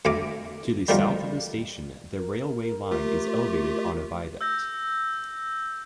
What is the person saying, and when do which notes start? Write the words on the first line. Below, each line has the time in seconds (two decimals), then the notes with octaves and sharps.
To the south of the station, the railway line is elevated on a viaduct.
0.05 D2 A3 F5 G#5 A#5 D6
0.89 D3 D#3 F3 G3 A#3 A#4
2.17 A#4
2.91 A3 F4 G4
4.41 E6 G6 A#6